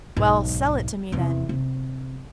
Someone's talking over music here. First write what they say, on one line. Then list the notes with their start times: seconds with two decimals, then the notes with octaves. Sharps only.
"Well, sell it to me, then."
0.17 B1 G#2
1.12 E2 C3
1.49 C3